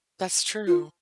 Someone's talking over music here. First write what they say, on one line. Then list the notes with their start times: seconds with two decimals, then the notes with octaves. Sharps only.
That's true.
0.67 F4